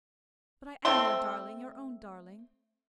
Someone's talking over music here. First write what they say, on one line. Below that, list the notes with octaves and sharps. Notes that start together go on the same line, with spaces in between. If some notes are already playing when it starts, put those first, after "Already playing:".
But I am your darling, your own darling.
A3 C4 E5 C6